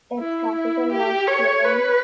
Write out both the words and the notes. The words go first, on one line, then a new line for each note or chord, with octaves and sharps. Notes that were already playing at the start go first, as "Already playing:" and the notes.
Its capital was Turin.
E4
E4
G4
C#5
B4